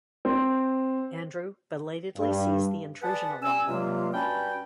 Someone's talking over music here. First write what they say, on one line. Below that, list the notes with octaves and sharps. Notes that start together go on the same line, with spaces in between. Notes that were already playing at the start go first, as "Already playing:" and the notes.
Andrew belatedly sees the intrusion alarm.
C4
G2
G#4 B4 D5 F#5 A5
G3 C#4 G#5 E6
G2 C3 F#3 G#3 A#3 F4
G2 C#4 F#4 G5 A5 B5